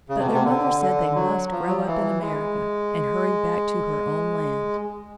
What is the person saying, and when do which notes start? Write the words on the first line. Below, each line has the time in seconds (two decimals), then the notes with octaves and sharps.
But their mother said they must grow up in America and hurried back to her own land.
0.09 C#3
0.18 C3
0.26 B2
0.34 C3
0.45 D3
0.81 D3
1.15 F#3
1.52 F3
1.67 F#3
1.78 F3
1.87 E3
2.21 G#3